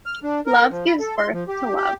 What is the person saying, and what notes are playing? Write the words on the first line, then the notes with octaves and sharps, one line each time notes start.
Love gives birth to love.
F6
D4
A#4
F3
B5
A4
C6
F3
G4
G4